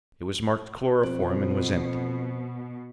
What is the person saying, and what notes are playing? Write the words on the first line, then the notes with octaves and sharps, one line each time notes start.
It was marked chloroform and was empty.
F2 B2 C5